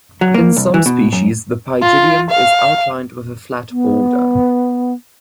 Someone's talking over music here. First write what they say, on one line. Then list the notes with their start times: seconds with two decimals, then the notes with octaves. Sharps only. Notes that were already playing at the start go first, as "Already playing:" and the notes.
In some species the pygidium is outlined with a flat border.
0.21 F#3
0.34 A#3
0.57 C2
0.74 E3
0.86 B2
1.13 F#2
1.82 F4
2.30 F5
3.71 B3